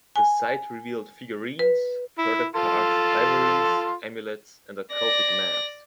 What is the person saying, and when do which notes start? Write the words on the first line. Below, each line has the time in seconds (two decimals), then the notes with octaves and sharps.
The site revealed figurines, further carved ivories, amulets and a cultic mask.
0.16 G#5
1.59 B4
2.18 E4
2.56 F4 A4 C6
4.94 D5 A#6